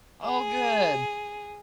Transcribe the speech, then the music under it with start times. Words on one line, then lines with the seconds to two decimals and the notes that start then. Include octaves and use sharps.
Oh good.
0.24 G#4